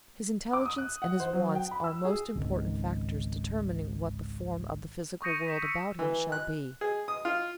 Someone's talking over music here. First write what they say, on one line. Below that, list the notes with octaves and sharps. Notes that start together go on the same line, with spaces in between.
His intelligence and his wants are most important factors determining what the form of the physical world about him shall be.
D6
D#6
F#6
F#5
C5
F#3
G5
B5
E6
G#4
G#1 C#2 G#2 D#3
C#6 D#6 G6 A#6 C#7 D#7
A#6 B6 D#7 E7
E6 C#7
E3
F#6
G#4
D#6
F4